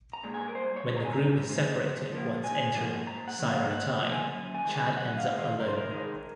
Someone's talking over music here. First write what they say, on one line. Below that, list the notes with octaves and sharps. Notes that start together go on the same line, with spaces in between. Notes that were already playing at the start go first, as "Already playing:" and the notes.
When the group is separated once entering "Seireitei", Chad ends up alone.
A#5
A#2 G#3
G#5
A#4
C2 C5
C#5
A#2 G#3
A#5
G#5
C2 A#5
A#2 G#3
G#2
F3 A#3
G#2 G#5
F3 A#3
G#2 A#5
F#5
F3 A#3
F5
G#2 F#5
F3 A#3
G#5
F#2
G#5
D#3 G#3
G#5
F#2 F#5
F5
D#3 G#3
F5
F#2 A#4
C5
A#4
D#3 G#3